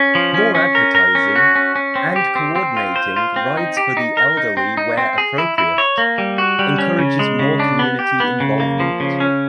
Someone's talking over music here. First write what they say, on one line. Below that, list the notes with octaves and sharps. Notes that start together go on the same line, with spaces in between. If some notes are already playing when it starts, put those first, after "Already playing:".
More advertising, and coordinating rides for the elderly where appropriate, encourages more community involvement.
Already playing: C#4
F3
C#4
C#4
A#4
A#4
C#4
F#4
C#4
C#4
C4
G4
C4
C4
F4
C5
F4
C4
D#4
G4
D#4
A#4
D#4
C4
D#4
C4
G#4
E4
E4
C#5
A#3
G3
F#4
G3
C#4
C#3
G#3
C#3
D4
B3
G4
B3
C#3
A#3
F3
C#3
C#4